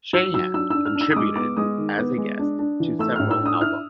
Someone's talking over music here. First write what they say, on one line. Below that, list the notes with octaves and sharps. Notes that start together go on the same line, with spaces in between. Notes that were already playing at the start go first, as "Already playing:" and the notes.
Sheahan contributed as a guest to several albums.
F#3 E6
F#3 E6
D4 E6
D4 E6
F6
D4
E6
D#6
G#3 D6
B3 D6
G#3 D#6
D#3
B3
G#3
D4
D4
E3
A3 E6
A2 F6
E6
D4 D#6
E4 F6